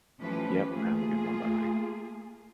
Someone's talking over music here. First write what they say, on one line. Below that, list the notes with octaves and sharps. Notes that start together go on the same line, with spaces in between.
Yep. Have a good one. Bye-bye.
E3 F3 A3 C#4 G4 B4
A3 A#3 F4 G#4